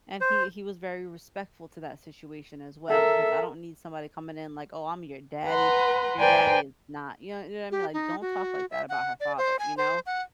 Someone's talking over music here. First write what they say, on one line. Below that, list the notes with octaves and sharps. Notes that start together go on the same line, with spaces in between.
and he he was very respectful to that situation as well, 'cause I don't need somebody coming in like, "Oh, I'm your daddy, your daddy is not" you know you know what I mean, like "Don't talk like that about her father," you know.
C5
A4 A#4 E5
B4 F#5 A#5 C6
B4 C5 D5 G5 G#5 A#5
G4
D#4
F#4
E5
F#5
D5
C5
G#5
C5
F#5